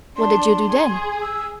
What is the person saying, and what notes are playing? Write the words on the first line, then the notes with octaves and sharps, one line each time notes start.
"What did you do then?"
D4 C6
G#4
E6